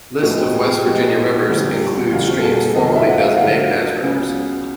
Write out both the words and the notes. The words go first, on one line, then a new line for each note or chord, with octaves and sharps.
List of West Virginia rivers includes streams formally designated as rivers.
A2 F3 G#3 B3 F#4
G4
G#4
G4
A2 F3 G#3 B3 F#4
F2 D3 G3
F2 D3 G3 F4
F#4
A4
G#4
A4
F2 D3 F#3 A#3 D#5
E5
F#5
F5
F5
F2 D3 F#3 A#3 F#5
C#2 C#3 F#3 B3